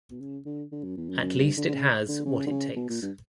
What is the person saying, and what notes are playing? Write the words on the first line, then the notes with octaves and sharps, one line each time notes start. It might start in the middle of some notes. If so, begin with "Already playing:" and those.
At least it has what it takes.
B2
C#3
D3
D3
F#2
E2
F#2
F#2
G2
D3
D3
C#3
D3
C#3
D3
C#3
B2
A#2
G2